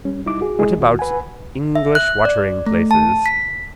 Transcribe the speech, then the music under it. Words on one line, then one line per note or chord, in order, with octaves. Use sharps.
What about English wateringplaces?
G3 C#4
C2 G3 D#4 E4 D6
F#4 G#4
G#3 E4 G#4 D#5
D#2 D#3 F#4
B4 F#5 G#5
E5
F#6
D5
A3
A5
B6